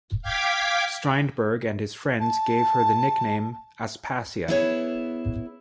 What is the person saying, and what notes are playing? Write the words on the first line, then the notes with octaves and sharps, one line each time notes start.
Strindberg and his friends gave her the nickname 'Aspasia'.
F5 G5 D6 G#6 B6
A5
B3 E4 G#4 A#4 B4 C#5